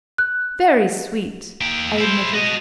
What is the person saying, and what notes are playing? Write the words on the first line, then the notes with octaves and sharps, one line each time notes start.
'Very sweet,' I admitted.
F#6
A#3 G5
E4 C5
F#4 D#5